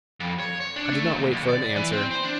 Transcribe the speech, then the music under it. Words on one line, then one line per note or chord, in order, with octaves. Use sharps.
I did not wait for an answer.
F2
C#5
C#5
D4
A3
D#2
B1
D5
E3
C4
C5
D4